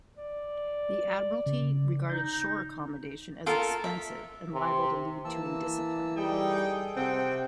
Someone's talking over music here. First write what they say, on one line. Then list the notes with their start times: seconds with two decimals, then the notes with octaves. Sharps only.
The Admiralty regarded shore accommodation as expensive and liable to lead to indiscipline.
0.18 D5
1.46 C#3
2.10 D#4 G6
3.46 F4 A4 A#4
3.84 E5
4.53 C3
5.25 E3 A#3 A5 E6
6.16 G3 D#4 G#4 A4 G5
6.96 C3 C4 F#5 G5